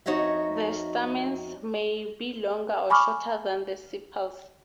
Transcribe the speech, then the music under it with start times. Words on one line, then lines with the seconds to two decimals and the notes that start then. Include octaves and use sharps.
The stamens may be longer or shorter than the sepals.
0.06 F2 D#4 F#4 C#5 D#5 E5
2.90 G#5 B5 C#6 D6 F6